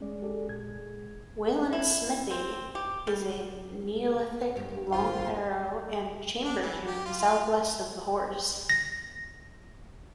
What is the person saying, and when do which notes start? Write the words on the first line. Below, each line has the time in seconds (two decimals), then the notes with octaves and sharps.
Wayland's Smithy is a Neolithic long barrow and chamber tomb southwest of the Horse.
0.01 G#3 C#4 D5
0.22 G4 A4 D5
0.49 A#2 G#4 G#6
1.73 E4
2.31 C4
2.75 G4
3.07 G3
4.56 G2 G4
4.93 G#1 F4 C5 F5 C6
6.45 D4
6.62 E3
6.87 G4
7.06 F4
7.20 F4
8.69 A#6